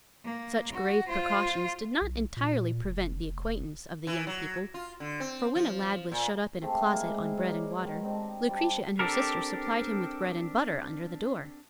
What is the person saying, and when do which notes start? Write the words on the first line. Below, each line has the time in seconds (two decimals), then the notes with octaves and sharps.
Such grave precautions did not entirely prevent the acquaintance of the young people; for when a lad was shut up in a closet, on bread and water, Lucretia and her sister supplied him with bread and butter under the door.
0.24 A#3
0.72 F#4
1.06 F4 C5
2.01 B1
2.37 A#2
2.83 F1
3.22 F1
4.07 E3
4.27 F#3
4.74 F4
5.00 D3
5.20 C4
5.55 F3
6.12 A#2
6.62 A3 C4 G4 G#4
6.92 G#3 A#3 E4
7.38 D#4 C#5 D5
7.79 G#2 B2 D#3
8.03 C4 D4 D#4 G4
8.49 G3 A5 D6
8.99 C4 D4 G4 A4 A#4